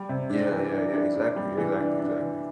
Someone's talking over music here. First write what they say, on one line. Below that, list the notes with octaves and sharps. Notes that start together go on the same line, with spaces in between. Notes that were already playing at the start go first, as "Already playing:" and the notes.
Yeah, yeah, yeah, exactly, exactly, exactly.
Already playing: G3
C3
D4
E3
D4
D4
D4
G3
E3
D4
D4
E3